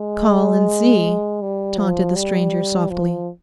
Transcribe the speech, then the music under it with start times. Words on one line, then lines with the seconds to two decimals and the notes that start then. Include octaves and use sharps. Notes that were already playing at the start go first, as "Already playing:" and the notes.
'Call and see!' taunted the stranger softly.
Already playing: G#3
1.42 G3
1.79 F3
2.16 G3
2.90 F3